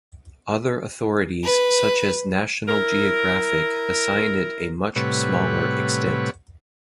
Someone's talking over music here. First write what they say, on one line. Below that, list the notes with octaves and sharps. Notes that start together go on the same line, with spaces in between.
Other authorities such as National Geographic assign it a much smaller extent.
B4
E4 A#4
A2 C3 G3 B4 C#5 F#5